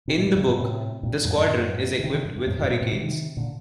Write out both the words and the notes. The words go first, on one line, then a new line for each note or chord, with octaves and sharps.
In the book, the squadron is equipped with Hurricanes.
C3
A#2
A2
G2
G2 A#2
A2 C3
G2 A#2
F#2 A2
F#2 A2
D3
C3 D#3
C3 D#3
G2
G2
F#2 A2
F#2 A2
G2 A#2
A2 C3
C3 D#3
C3 D#3
A#2 D3